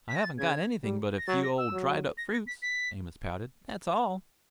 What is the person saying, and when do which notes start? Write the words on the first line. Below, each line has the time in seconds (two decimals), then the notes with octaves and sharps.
"I haven't got anything but a few old dried-up fruits," Amos pouted. "That's all."
0.08 B6
0.16 A#6
0.23 A6
0.38 C#3 G#6
0.83 G3
1.18 A#6
1.27 F#3 A6
1.43 A#6
1.58 E6
1.72 F#3
2.18 A#6
2.32 A#6
2.47 B6
2.62 B6